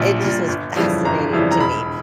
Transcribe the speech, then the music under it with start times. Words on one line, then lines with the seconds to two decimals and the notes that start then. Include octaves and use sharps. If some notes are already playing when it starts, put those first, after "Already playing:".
it just was fascinating to me.
Already playing: A#1 A#2 G3
0.20 A#2 G3
0.48 G1
0.76 F2 C#3 E3 G3
1.05 G1 A#5
1.33 F2 C#3 E3 G3
1.51 A#5
1.60 E1 B5